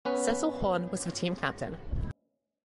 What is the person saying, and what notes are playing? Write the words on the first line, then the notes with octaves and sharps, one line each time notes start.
Cecil Horne was the team captain.
B3 C#4 B4